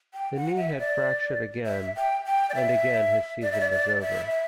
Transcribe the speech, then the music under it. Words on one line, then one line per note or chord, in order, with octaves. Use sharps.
The knee had fractured again and again his season was over.
G5
F#5
E5
D5
E5
G5
G5
D5
E5
D5
E5
D5
D5
E5
E5